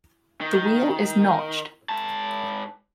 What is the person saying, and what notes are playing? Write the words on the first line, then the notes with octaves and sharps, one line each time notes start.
The wheel is notched.
D#3
G#2 A5